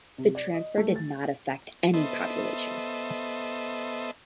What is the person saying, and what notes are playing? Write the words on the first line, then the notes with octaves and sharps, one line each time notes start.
The transfer did not affect any population.
C3
D5
D#5
A3
A6
B3 A4 C5 D#5 E5